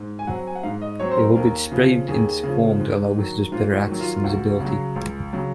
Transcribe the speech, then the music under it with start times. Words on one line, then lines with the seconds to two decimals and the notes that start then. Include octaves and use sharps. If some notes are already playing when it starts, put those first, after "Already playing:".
It will be displayed in this form to allow visitors better access and visibility.
Already playing: G#2
0.19 G#5
0.27 F#3 C4 F#5
0.47 G#5
0.55 F#5
0.63 G#2 F5
0.82 D#5
1.00 F#3 C4 C#5
1.11 C5
1.18 A#4
1.35 D#2 A#4
1.72 C#3 F3
2.08 D#2 G#4
2.43 C#3 F3
2.80 G#2
3.16 D#3 F#3
3.52 G#2 F4
3.69 F4
3.76 F#4
3.88 D#3 F#3
4.00 F4
4.16 F4
4.24 C#2 F#4
4.60 C#3 F#3
4.96 C#2
5.33 C#3 F#3